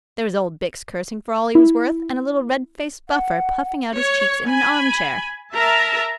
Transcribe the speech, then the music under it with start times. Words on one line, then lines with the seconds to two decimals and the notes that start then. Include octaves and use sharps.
There was old Bick cursing for all he was worth, and a little red-faced buffer puffing out his cheeks in an armchair.'
1.55 E4
3.09 F#5
3.97 C#5
4.48 G#5 B5
5.54 A#4 E5 A5 A#5